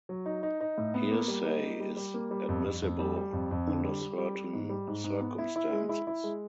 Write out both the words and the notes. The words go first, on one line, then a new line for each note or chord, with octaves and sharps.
Hearsay is admissible under certain circumstances.
F#3
D#4
D#4
D#4
A2
B3
A#3
G3
D#4
A#3
G3
G3
A#3
G3
F2
F2
F2
G3
G3
F2
F2
D3
G3
G3
G3
G3
G#2
G3
G#2
G#2
B3
E4
E4
G#3
E4
E4
G#3